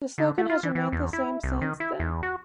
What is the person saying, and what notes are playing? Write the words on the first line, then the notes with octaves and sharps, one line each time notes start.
The slogan has remained the same since then.
D3
A3
F4
E3
E3
E2
E4
C2
D#3
E4
E2
F#4